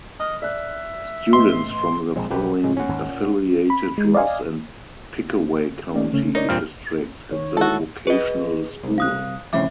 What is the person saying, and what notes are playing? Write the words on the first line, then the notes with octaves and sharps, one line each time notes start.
Students from the following affiliated Ross and Pickaway county districts at the vocational school.
D#5 F6
D5 E5 F#6
A1 B4 D#5 C6
A#1 A#2 F3 G#3 C4
B1 F3 G4 B4
A2 C#3 G#3
C#4 F#5
G#1 D#2 G#2
A#2
B5
G#3
D5 D#5 F5 G#5
A3 C#4 D5
C#3 A3 C#4
D#4 A#4 C#5 D5
E2 G2 A#2 C4 F6
D#3 C#5
G#3 E4 F#4 A4
G#4 B4 D#5
C2
F5 D#6 F#6
F2 A2 C#3 E5 D6